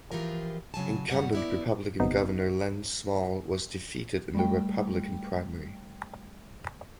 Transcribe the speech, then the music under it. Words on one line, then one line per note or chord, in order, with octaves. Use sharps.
Incumbent Republican Governor Len Small was defeated in the Republican primary.
E3 F3 F4 G4 G#4 A#4
C#3 F#3 G#5 A5
F#2 D#3 G3 F#5
B3 E4 D5
G1 E2 C3 B3 D#4
G3 A3 G5